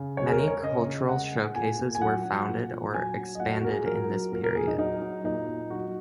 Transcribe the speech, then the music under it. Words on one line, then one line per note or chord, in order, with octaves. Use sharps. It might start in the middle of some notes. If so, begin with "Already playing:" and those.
Many cultural showcases were founded or expanded in this period.
Already playing: C#3
G#3 C#5
G#4
A#4
G#3
C#5
C#3 D#5
C#3
G#3 F#5
G#3
A#2 G#5
A#2
G#5
F#3 F#5
F#3
A#2
A#2
F#3 G#5
F#3
D#5
A#2 F#5
F#4
A#2 A#4
G#4
F#3 A#4
F#3
A#2 A#4
A#4
A#2 G#4
D#4
F#3 D#4
F#3
A#2 D#4
A#2
F#3 F#4